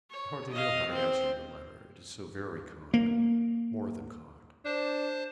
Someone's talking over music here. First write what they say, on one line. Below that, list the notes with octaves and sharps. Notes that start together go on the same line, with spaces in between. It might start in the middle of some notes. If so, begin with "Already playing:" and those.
I hardly know how to answer your letter, it is so very kind--more than kind.
C#5
D#5 F5
C4 C5
A#3
D4 C5 A5